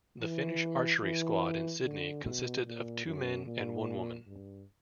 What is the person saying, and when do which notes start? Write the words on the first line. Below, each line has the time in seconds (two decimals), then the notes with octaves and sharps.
The Finnish archery squad in Sydney consisted of two men and one woman.
0.22 E3
1.03 E3
1.84 D3
2.24 B2
2.65 A#2
3.06 F#2
3.46 A#2
4.27 G2